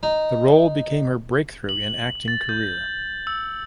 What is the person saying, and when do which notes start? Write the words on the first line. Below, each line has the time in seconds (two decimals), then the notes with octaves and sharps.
The role became her breakthrough in acting career.
0.03 D#4
1.69 F#7
2.28 A6
2.49 G6
3.27 E6